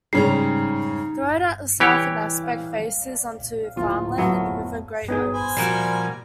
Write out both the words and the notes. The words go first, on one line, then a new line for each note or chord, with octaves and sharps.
The road at the southern aspect faces onto farmland and the River Great Ouse.
G#2 C#3 G3 C#4 D#4 A#5 C7
E3 G4 C#5
D1 A#2 F4
F#3 A3 B3
B3 D#4 G#4
C5 G#5 B5
A#2 F3 G3 A#3 F#4